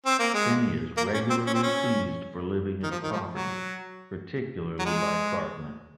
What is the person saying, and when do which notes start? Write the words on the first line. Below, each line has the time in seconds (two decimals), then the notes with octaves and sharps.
Kenny is regularly teased for living in poverty, particularly by Cartman.
0.06 C4
0.19 A#3
0.34 G#3
0.97 A#3
1.14 C#4
1.30 C4
1.47 C#4
1.54 C4
1.63 C#4
2.83 D#3
2.91 F3
3.03 D#3
3.12 F3
3.34 F#3
4.79 F#3
4.85 G#3